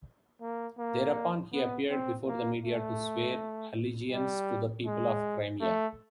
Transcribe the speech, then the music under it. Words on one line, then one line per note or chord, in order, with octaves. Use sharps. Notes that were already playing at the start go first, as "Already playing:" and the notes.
Thereupon he appeared before the media to swear allegiance to the people of Crimea.
A#3
A#3
B3
C4
A#3
A3
G3
G#3
A3